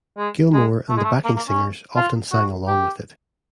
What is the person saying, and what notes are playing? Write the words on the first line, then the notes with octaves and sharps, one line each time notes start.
Gilmour and the backing singers often sang along with it.
G#3
G#3
A3
G#3
A3
A#3
A#3
C#4
F4
F#4
G4